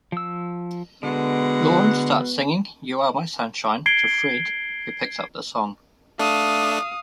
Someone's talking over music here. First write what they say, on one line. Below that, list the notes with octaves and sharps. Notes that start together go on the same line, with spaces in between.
Lorne starts singing "You Are My Sunshine" to Fred, who picks up the song.
F3 E6
B2 D3 G#3 B3 F#5
G#6 C7 D7 G7
A3 D4 F5 D#6